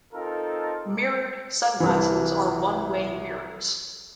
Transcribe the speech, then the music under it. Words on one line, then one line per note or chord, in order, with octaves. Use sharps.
Mirrored sunglasses are one-way mirrors.
C4 D#4 F4 A4 A#4
C2 E3